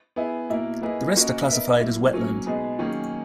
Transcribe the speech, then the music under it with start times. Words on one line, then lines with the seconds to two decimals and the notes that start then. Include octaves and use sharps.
The rest are classified as wetland.
0.16 B3 E4 G#4
0.49 B2 A#3 E4 A#4
0.81 A#3 E4 G#4 B4 D#5
1.14 A#3 C#4 F#4 A#4 D#5
1.48 B3 D#4 A#4 E5
1.80 F#3 A#3 E4
2.13 F#3 A#3 C#4
2.46 B2 G#3 D#4 G#4 B4
2.79 D#3 F#3 A#3 C#4 G#4